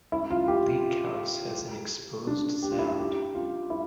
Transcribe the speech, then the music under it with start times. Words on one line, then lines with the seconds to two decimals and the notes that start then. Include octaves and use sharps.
Bleak House has an exposed sound.
0.12 E4
0.30 F4
0.48 G4
0.66 F4
2.27 D4
2.62 G4
2.71 F4
2.79 E4
2.87 F4
2.99 G4
3.35 F4
3.70 E4